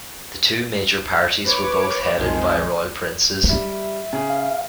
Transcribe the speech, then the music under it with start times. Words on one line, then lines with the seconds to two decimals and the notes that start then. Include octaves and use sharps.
The two major parties were both headed by royal princes.
1.45 B4 C#5 D6
2.17 B1 F2 D#3 F3 G#3
3.49 G3 E5
4.13 C#3 G#4
4.30 F5